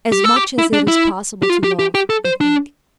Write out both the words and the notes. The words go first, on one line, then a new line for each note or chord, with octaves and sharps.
"As much as it is possible to love, I think."
G4
A4
G4
E4
D4
E4
G4
F4
G4
G4
G4
A4
C5
D4